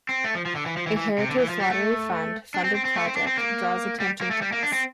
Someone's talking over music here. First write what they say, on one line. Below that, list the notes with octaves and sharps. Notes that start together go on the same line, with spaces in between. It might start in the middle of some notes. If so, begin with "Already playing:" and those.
A Heritage Lottery Fund funded project draws attention to this.
C4
A3
F3
F3
D3
E3
F3
E3
E3
C3
D3
E3
F3
G3
A3
D4
C4
C4
C4
A3
C4
D4
C4
A#3
G3
A#3
A3
G3
A#3
D4
C4